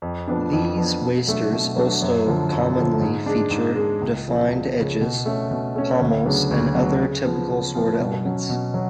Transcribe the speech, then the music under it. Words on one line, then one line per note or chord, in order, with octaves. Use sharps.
These wasters also commonly feature defined edges, pommels, and other typical sword elements.
F2
F3 B3 D4
F2
F3 B3 D4
B2
F#3 A3 D4
B2
F#3 A3 D4
F#2
D3 F3
F#2
D3 F3
G#2
G#3 D4
G#2
G#3 D4
C#2
C#3 F3
C#2
C#3 F3
B2
A3 C#4
B2
A3 C#4
D2
C#3 F#3 B3 D4
D2
C#3 F#3 B3 D4
C#3
F3 B3
C#3
F3 B3
B2
F#3 C#4
B2
F#3